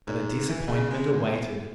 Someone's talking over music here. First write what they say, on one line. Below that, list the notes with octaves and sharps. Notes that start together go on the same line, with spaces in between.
But a disappointment awaited.
G#2
E3
C#3
G#3
E2